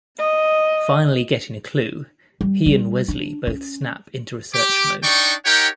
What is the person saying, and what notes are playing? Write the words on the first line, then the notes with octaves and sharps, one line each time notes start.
Finally getting a clue, he and Wesley both snap into research mode.
D#5
G3
G3
D4
C#4
G4 D6
D4 D#4 D5 G5 C#6
D#4 G4 A#4 C#5 F#5 G5